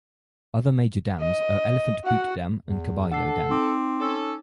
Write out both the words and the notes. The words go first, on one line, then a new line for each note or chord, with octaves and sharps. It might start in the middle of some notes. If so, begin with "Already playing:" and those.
Other major dams are Elephant Butte Dam and Caballo Dam.
D#5
F#4 F#5
E2
D4 A4 F#5 C7
C4 D#4 D6
C#4 A4